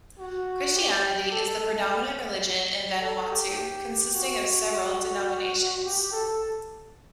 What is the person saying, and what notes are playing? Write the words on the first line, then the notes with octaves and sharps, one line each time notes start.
Christianity is the predominant religion in Vanuatu, consisting of several denominations.
F#4
G4
A4
A4
G4
G4
F#4
G4
A4